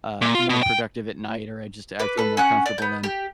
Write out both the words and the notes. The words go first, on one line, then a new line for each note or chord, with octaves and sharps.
uh, more productive at night or I just, I feel more comfortable than,
A#2
F4
B2
G5
B4 D6
A4 B4
C#4 F#5 F#6
D5
B3 G6
G4